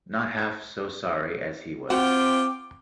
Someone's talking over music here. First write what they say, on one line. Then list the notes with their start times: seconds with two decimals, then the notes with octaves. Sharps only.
Not half so sorry as he was.
1.90 C4 F4 F#4 G5 D6